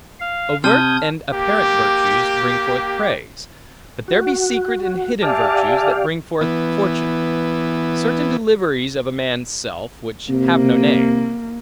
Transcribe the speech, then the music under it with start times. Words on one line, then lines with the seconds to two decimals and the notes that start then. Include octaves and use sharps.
Overt and apparent virtues, bring forth praise; but there be secret and hidden virtues, that bring forth fortune; certain deliveries of a man's self, which have no name.
0.20 F5
0.64 C3 A5 D#6 F6 G6 G#6
1.33 A#3 G4
4.08 F#4
5.23 G4 D5 E5 F5 G#5 A5
6.41 E3 B3
10.30 C3 A#3